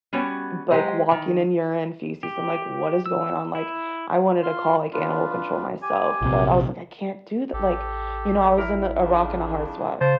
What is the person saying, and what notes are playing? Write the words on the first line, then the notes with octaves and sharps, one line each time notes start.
like, walking in urine, feces. I'm like, "What is going on?" Like, I wanted to call, like, animal control myself, but I was like, "I can't do th" Like, you know, I was in a a rock and a hard spot.
G3 B3 C#4 F#4
F#3 G#3 A#3 G4 C5 D#5
D#3
G4
E6
E4
F4 C6
D4 F4 B4
G4 G#5
A#1 C3
A1 G4 A4
E4 A#4
F2 C#3 D4
C#3 C5 A5